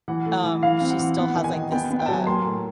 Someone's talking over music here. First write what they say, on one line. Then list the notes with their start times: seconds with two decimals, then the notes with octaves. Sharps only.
um, she still has, like, this, uh,
0.08 E3 F#5
0.26 A3
0.44 E3
0.63 E3 F5
0.81 C4
0.90 F#5
0.99 E3
1.17 B3 F#5
1.35 D#3
1.44 G#5
1.54 D#3
1.72 B3 G5
1.91 B3
1.99 G5
2.06 A5
2.09 F#3 G#5
2.27 A#3 C6
2.45 A2